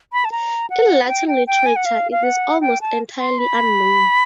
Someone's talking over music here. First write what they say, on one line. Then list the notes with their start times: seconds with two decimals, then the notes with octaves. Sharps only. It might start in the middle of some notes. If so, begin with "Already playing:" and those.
In Latin literature it is almost entirely unknown.
0.13 B5
0.25 A5
0.32 A#5
0.70 F#5
1.08 G5
1.28 G5
1.47 G5
1.66 G#5
1.76 F#5
1.85 F5
2.11 F5
2.23 F#5
2.61 G5
2.81 A5
3.20 C6
3.39 B5